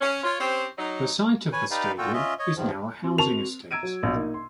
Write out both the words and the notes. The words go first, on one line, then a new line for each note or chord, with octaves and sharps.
The site of the stadium is now a housing estate.
C#4
F4 C#5
C4 C#4 G4 C5
F#3 D#4
B4 C#5 G#5
D#4 G4 B4 D5 F5
A#2 F4 F#4 A4 G5
C#4 F4 D#5 E5
C#5 D#5
E2 G2 D#3 F3
C4 F#4
A#4 A5 C#6 F7
A#5 E6 G#6 D7 D#7
F#3
A#1 B2 F#3
A#3 D#4
C6